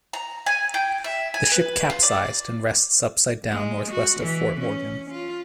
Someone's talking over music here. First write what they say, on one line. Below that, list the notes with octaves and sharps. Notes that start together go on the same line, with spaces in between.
The ship capsized and rests upside down northwest of Fort Morgan.
A#5
G#5
G5
E5
G#5
B4
F4
D5
G#3
F#4
E3
C#4
F4